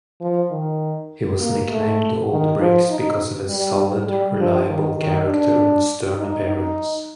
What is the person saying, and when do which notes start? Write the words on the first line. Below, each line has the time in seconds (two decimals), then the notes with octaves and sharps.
He was nicknamed "Old Bricks" because of his solid, reliable character and stern appearance.
0.21 F3
0.51 D#3
1.41 A#3
1.71 A3
2.30 D#3
2.60 F3
2.90 D#4
3.49 G3
4.08 G3
4.39 F3
4.68 D#3
4.98 D#3
5.28 D4
6.18 D#4
6.48 D#4